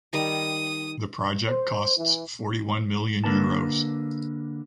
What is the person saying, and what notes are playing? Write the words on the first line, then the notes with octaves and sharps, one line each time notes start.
The project costs forty one million Euros.
D#3 G3 A#5 D#6
C5
E3
D3 A#3 B4 A5